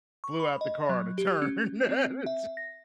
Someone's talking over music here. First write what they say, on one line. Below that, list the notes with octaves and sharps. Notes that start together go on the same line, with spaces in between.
flew out the car on a turn. Its
C#6
B5
D#5
F#3
G4
C#4
C4
E5
A#6